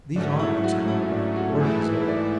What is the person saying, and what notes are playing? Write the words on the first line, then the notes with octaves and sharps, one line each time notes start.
These honours, however, were deserved.
G#2 F#3 A3 C#4 D4
E4
F#4
E4
E4
D4
F#4
A4
G#2 E3 A3 E4 G#4
B4
D5